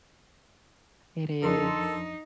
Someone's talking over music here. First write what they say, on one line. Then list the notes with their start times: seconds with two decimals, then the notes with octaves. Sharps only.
It is,
1.43 F2 F3 D4 D#4 A4 A#4 C6